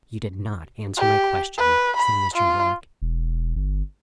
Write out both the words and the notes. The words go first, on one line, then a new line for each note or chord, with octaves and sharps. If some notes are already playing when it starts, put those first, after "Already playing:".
"You did not answer my question," said Mr. Yorke.
G4
B4
B5
F4
E1
G1